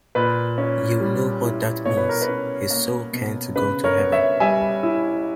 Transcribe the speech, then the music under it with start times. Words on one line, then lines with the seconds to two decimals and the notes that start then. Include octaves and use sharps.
You know what that means; his soul can't go to heaven.
0.15 A#2 B4
0.58 C#4
1.00 G3
1.43 E4
1.85 B2 C#5
1.97 B4
2.09 A#4
2.21 B4
2.28 C#4
2.70 A#3
3.13 B2
3.55 C#3 B4
3.84 A#4 C#5
3.98 B3
4.12 C#5 E5
4.40 G3 E5 G#5
4.83 E4